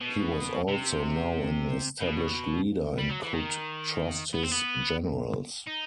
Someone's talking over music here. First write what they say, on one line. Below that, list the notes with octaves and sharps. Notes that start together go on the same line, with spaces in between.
He was also now an established leader and could trust his generals.
B2
C3
B2
G3
F#3
E3
D#3
B3
C4
B3
D#4